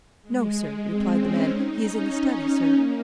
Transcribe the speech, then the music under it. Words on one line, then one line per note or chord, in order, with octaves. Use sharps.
"No, sir," replied the man; "he is in the study, sir."
G#3
C4
C#4
D#4
C#4
A#3